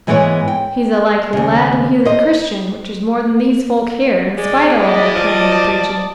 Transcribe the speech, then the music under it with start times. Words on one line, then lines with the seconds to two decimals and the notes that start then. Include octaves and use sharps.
He's a likely lad, and he's a Christian, which is more than these folk here, in spite o' all their praying and preaching.
0.07 G#2 E3 G#3 B3 C#5
0.48 G5
1.33 D#2 C#3
2.05 C5 D#5
4.37 G#3 D5
4.76 D#4 E4 D5 D#5
5.16 F3 A5 D6